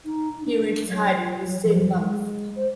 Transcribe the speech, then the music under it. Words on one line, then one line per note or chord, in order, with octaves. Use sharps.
He retired the same month.
D#4
D4
F#3
F4
F#3
F3
G#3
C5